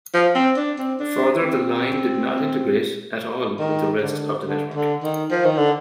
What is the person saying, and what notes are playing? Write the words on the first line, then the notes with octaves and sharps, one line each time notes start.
Further the line did not integrate at all with the rest of the network.
F3
C4
D4
C4
D4
C4
D#3
D3
D3
D3
D#3
F3
D#3
D3